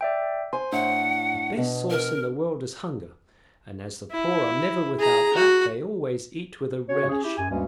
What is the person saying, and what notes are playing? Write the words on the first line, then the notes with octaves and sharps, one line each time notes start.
The best sauce in the world is hunger, and as the poor are never without that, they always eat with a relish.
D5 E5 G5
C5 G#5 C6
A2 D4 F#5
B2
A#4
E4
G#4 A#5
F#4
C#3 C#4 F#4 C#5
C#4 G#4
E4 G4
F#2 G#5
D2 G2 G3 G#3 A#3 C#4